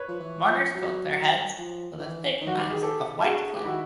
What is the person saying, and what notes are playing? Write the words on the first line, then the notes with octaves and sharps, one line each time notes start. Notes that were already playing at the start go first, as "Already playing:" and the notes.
Mourners coat their heads with a thick mass of white clay.
Already playing: B4 C#5
F3
E3
F3
F#3
F3
E3
D#3
F#4
G4
G#4
G4 A4
D3 F#4 G#4
G4
D#3 E4 F#4